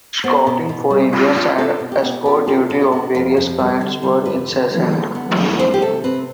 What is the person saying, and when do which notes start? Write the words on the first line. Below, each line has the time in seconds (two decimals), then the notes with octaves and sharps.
Scouting for Indians and escort duty of various kinds were incessant.
0.24 B3 C5
0.47 B2
0.69 B2
0.90 G3
1.13 F4
1.36 F4
1.58 F4 A4
1.80 B2
1.92 G4
2.02 B3
2.26 F4 G4
2.47 F4 G4
2.70 B2 A4
2.92 B3
3.15 F2
3.37 F2
3.59 G3
3.81 D3
4.03 G3
4.25 F2 B4
4.48 D3
4.71 G3
4.92 D3
5.15 B3
5.37 F2
5.59 C4 C5
5.74 G4
5.82 C3 A4
6.04 C4 B4